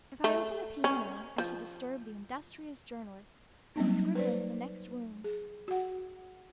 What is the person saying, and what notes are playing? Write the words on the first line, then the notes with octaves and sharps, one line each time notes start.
If I open the piano, I shall disturb the industrious journalist who is scribbling in the next room.
A3
C#4
F3
F#3 G3 A#3 C4 C#4 D#4
B4 C5 D5
G#4
F#4 F#5